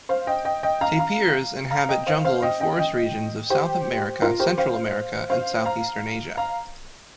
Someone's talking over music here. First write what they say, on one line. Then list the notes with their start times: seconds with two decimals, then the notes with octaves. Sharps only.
Tapirs inhabit jungle and forest regions of South America, Central America, and Southeastern Asia.
0.09 C5 F5
0.27 D#5 G5
0.45 D#5 G5
0.63 D#5 G5
0.81 F5 A#5
0.99 F5 A#5
1.71 F5 A#5
1.89 D#5 G5
2.07 C5 F5
2.25 C5 F5
2.42 D#5 G5
2.60 D#5 G5
2.79 D#5 G5
3.50 G4 C5
4.22 F4 A#4
4.40 G4 C5
4.58 C5 F5
5.30 C5 F5
5.65 F5 A#5
6.37 F5 A#5